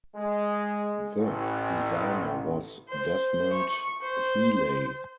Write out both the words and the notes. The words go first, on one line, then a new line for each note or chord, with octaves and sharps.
The designer was Desmond Heeley.
G#3
A1
C5
C#6
C5